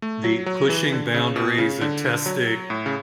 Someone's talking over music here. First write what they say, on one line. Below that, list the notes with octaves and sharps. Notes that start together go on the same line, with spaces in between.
the pushing boundaries and testing,
A3
F#3
F#3
E3
D3
C#3
B2
C#3
D3
F#3
A2
C#3